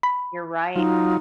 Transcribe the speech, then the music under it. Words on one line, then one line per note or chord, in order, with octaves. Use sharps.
You're right.
B5
F#3 D#4 F4